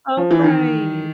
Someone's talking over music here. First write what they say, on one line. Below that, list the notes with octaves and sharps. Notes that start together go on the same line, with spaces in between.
Oh, right.
F3
E3
D#3